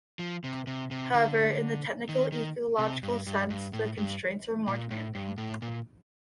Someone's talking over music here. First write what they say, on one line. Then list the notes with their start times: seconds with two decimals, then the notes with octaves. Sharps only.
However, in the technical, ecological sense, the constraints are more demanding.
0.19 F3
0.44 C3
0.67 C3
0.91 C3
1.14 D3
2.09 D#3
2.32 D#3
2.78 C3
3.03 G2
3.27 G2
3.50 G2
3.73 A2
3.97 G2
4.68 A#2
4.91 A2
5.15 G2
5.38 A2
5.62 A#2